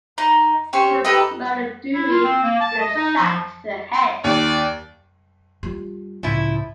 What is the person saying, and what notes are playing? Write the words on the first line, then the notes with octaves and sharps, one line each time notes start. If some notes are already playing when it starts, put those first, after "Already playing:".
Cook murdered Dewey with a shot to the head.
D#4
C#4 G4 C5 C#6
D#4 G4 A4 B4
E4
F4
C4
A#3
A5
D#5
D#4
F3
D#2 D5
G3 F4
C#2 A2 F3 E4